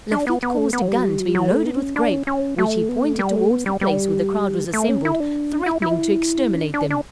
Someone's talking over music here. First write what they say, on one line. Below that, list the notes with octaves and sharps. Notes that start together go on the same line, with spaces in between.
Lafitte caused a gun to be loaded with grape, which he pointed towards the place where the crowd was assembled, threatening to exterminate them.
D4
B3
B3
A3
B3
F#3
G3
F#3
G3
F#3
G3
F#3
A3
B3
D4
C#4
D4
C#4
C#4
A3
B3
A3
G3
A3
B3
G3
G3
A3
C#4
E4
D4
E4
E4
C#4
D4
D4
D4